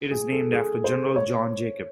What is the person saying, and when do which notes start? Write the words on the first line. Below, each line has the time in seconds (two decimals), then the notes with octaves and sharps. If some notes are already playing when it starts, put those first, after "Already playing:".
It is named after General John Jacob.
0.11 G#4
0.32 A4
0.53 G#4
0.84 C5
1.16 C#5